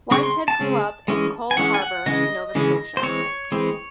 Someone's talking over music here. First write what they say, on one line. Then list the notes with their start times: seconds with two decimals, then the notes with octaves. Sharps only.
Whitehead grew up in Cole Harbour, Nova Scotia.
0.11 C#3 G#3 C4 C#6
0.23 C6
0.48 A5
0.60 C#3 G#3 C4
1.08 E3 G#3 C#4
1.51 G#5
1.57 E3 G#3 C#4 F#5
1.74 G#5
1.82 F#5
2.06 C#3 E3 G#3 C#4 D#5
2.55 C#3 E3 G#3 C#4
2.97 C5
3.03 E3 G#3 C4 C#5
3.52 E3 G#3 C4